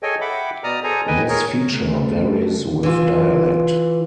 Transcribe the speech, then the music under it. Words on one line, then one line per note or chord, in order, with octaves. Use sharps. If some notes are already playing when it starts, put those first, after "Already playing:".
This feature varies with dialect.
G#4 A4 C#5 D#5 G5 G#5
E5 F#5 G5 B5 D6
B2 D5 A#5 D#6 F6
G#4 A4 C5 G#5 A#5
B4 D#5 G5 G#5
G#4 A#4 C#5
C#3 A3
E3 F4